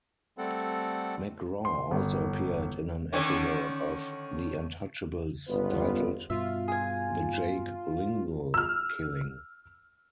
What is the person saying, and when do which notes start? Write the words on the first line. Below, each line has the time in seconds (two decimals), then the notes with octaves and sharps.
McGraw also appeared in an episode of "The Untouchables" titled "The Jake Lingle Killing".
0.38 G3 A3 C4 A4 F#5
1.65 C6
1.91 G1
3.12 D3 D#3 C#4
5.48 G1 C#2 B3 F4 B4
6.30 G2 B2 F4 E5
6.68 G#4 G#5
8.54 E6 F6